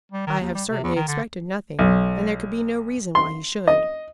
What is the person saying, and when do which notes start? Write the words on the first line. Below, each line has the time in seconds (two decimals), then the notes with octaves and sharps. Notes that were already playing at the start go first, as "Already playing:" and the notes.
"I have certainly expected nothing, and there could be no reason why he should."
0.12 G3
0.27 D#3
0.41 D#2
0.55 G3
0.69 C3
0.83 E2
0.95 D#3
1.08 D3
1.79 B1
3.15 C6
3.68 D#5